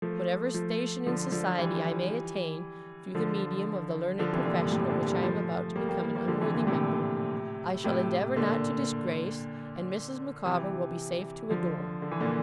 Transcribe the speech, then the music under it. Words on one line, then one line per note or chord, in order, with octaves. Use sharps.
Whatever station in society I may attain, through the medium of the learned profession of which I am about to become an unworthy member, I shall endeavour not to disgrace, and Mrs. Micawber will be safe to adorn.
F3 A3
F3 A3
D3 F3
D3 F3
E3 G3
D3 F3
D3 F3
C3 E3
A#2 D3
G2 A#2
A2 C3
A#2 D3
E3 G3
F3 A3
G3 A#3
G3 A#3
G3 A#3
G3 A#3
D3 F3
C3 E3
A#2 D3
A2 C3
A2 C3
A#2 D3
C3 E3
D3 F3
D3
E3
A#2 D3